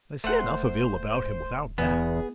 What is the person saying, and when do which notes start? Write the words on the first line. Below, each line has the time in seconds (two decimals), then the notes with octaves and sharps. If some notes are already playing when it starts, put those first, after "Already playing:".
They say enough of ill about him without that.
0.24 D#1 A3 C5 F#5
1.78 E2 B3 G#4